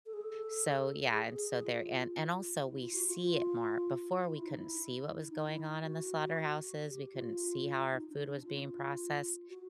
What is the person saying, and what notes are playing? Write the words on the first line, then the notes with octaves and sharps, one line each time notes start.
so yeah, and so there and and also we see it more, before, we couldn't see what was going on in the slaughterhouses, we couldn't see how our food was being processed
A4
G#4
A4
G#4
G#4
G#4
F4
E4
F4
F#4
F4
F4
F4
E4
D#4
E4
D#4
E4
F#4
G4
F4
D#4
D4
D4
F4
F#4